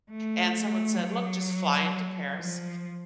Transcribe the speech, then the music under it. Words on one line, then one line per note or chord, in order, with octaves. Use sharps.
And someone said, "Look, just fly into Paris,
A3
A3
F#3
F3